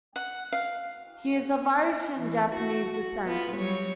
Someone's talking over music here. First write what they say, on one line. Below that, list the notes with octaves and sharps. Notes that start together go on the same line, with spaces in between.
He is of Irish and Japanese descent.
F#5
F5
E3
F#4
B3 F4
F#3 G3 C#5